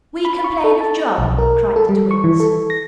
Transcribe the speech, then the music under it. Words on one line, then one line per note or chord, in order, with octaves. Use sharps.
'We complain of John,' cried the twins.
B5
C#6
A4
A5
B1
A#4
A4
G3
C#6
E3
A4
A#6